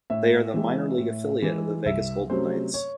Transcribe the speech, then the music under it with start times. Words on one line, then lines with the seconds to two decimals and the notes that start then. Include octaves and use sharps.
They are the minor league affiliate of the Vegas Golden Knights.
0.10 A2 E5
0.54 E3 G#3
0.98 A2
1.42 E3 G#3
1.86 C2 E5
2.30 C3 F#3 A3 C#4 C5
2.74 C#5